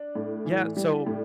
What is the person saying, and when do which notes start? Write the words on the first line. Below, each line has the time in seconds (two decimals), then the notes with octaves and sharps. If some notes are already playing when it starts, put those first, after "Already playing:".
Yeah, so
Already playing: D4
0.15 A2
0.46 E3
0.77 G3
1.07 A2